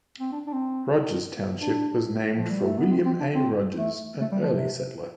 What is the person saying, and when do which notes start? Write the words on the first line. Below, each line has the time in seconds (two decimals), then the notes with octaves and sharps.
Rogers Township was named for William A. Rogers, an early settler.
0.20 C4
0.32 D4
0.47 D4
0.53 C4
1.61 D4
2.37 F3
2.50 G3
2.64 A3
2.78 B3
2.91 C4
3.05 C4
3.20 D4
3.35 C4
3.77 A3
4.21 A3
4.32 G3
4.43 F3
4.53 C3